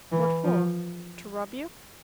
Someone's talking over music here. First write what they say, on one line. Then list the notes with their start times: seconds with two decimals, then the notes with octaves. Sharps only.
"What for--to rob you?"
0.12 E3
0.44 F3